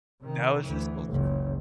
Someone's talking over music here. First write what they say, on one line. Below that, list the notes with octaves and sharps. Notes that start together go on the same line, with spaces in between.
That was just culture.
C3 D#3
D2 E3
F#1 C#2